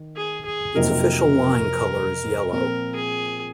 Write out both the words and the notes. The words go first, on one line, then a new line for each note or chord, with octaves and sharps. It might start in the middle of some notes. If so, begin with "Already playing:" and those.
Its official line color is yellow.
Already playing: D#3
G#4
G#4
F2 C3 F#3 A#3 D#4 A#4
A#2 F3 C4 A#4
G#4